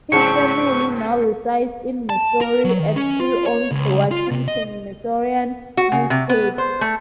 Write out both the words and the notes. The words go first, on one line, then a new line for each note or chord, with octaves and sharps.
His family now resides in Missouri and still owns the "Washington Missourian" newspaper.
G#2 C#3 F#3 C4 A5 C#6 C#7
A5
A#4
F#3
D#3
C#4
F4
C#5
C#2
F4
C3
D#5
F#4
C#3
C3
B3
C5
A3